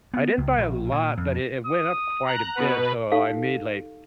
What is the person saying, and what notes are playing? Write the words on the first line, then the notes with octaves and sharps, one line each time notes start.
I didn't buy a lot, but it it went up quite a bit, so I I made, like,
B3
C#2
A#1
A#2
F2
D#6
A#5 F#6
B2 B4 F#5
D#4 G4 A4 F5